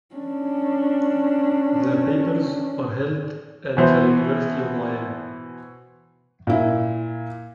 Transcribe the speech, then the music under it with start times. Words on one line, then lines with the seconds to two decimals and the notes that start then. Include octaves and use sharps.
Their papers are held at the University of Miami.
0.15 C#4 D4
3.77 B2 E3 C5
6.47 A#2 E4